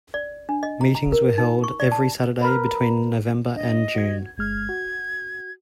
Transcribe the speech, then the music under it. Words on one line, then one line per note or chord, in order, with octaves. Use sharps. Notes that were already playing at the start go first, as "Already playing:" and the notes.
Meetings were held every Saturday between November and June.
D5
D4
D#5
A#5
A#5
A#4
D#4
C#6
D5
A5
A#4 B4
D4 D#5
F#4 G#6
G1 G#3 F6 G#6
F#4